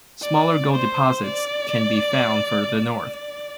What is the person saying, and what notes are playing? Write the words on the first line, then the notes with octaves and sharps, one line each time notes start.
Smaller gold deposits can be found further north.
D5
C5
D5
D5